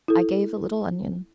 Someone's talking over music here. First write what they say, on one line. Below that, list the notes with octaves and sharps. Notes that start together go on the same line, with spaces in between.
I gave a little onion.
E4 A4